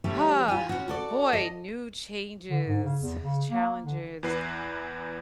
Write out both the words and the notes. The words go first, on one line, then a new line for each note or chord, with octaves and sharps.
Ah, boy, new changes, challenges,
E3 G3 A3 C#4 G4
F4 G4 G#5
C#4 F#4
F#4 A4 D5
D#5
D3
G#2
C#3
E2
C#3
A#3
D3
E2 E3 B4 C7